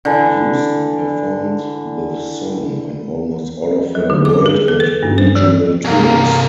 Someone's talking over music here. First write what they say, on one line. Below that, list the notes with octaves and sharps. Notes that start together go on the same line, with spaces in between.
Houston performed the song on almost all of her world and regional tours.
D3 E3
F#3
D3
D6
G#4
A4
B4
G2
C5
E3
C2 G2 A#3